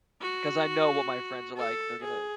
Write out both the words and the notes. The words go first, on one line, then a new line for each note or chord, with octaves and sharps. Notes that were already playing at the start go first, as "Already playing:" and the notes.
'cause I know what my friends are like. They're gonna
F#4
A4
G#4